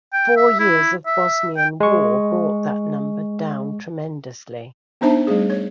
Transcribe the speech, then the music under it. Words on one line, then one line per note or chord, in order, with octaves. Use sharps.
Four years of Bosnian War brought that number down tremendously.
G5
E5
E4
E5
G5
G#3 C#6
B3 D4 D#4 C5 E5 A5
G3 A3 G#4
C#5